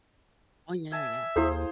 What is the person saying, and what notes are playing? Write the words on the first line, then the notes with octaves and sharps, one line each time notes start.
Oh, yeah, yeah.
E5 G#5 A5
D#2 E4 G#4 A4 C5 F5